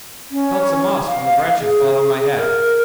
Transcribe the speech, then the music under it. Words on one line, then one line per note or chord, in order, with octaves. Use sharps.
I felt some moss from the branches fall on my head.
C#4
F5
G#4
A#4